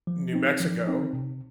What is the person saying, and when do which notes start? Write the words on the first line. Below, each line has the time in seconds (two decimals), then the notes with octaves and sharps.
New Mexico
0.07 F3
0.33 C4 D#4
0.60 F3
0.87 C4 D#4
1.13 C3